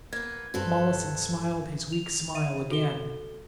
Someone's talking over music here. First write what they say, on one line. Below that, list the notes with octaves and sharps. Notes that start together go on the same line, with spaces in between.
Mollison smiled his weak smile again.
A#3 B3 G#6
G2 C4 A4 B4
F7
E5 D#7
F#4 A4 G7